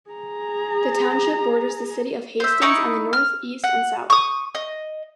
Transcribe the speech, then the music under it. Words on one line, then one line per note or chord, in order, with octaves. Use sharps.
The township borders the city of Hastings on the north, east, and south.
G#4 A#5
C5 E5
D#4 E4 C#6 D#6
F6
F#5
C#6 D#6
D#5